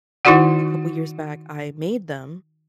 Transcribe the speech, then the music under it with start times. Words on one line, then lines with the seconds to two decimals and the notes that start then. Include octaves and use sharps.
a couple years back, I made them,
0.25 D#3 D#4 E4 F#4 D5 F#5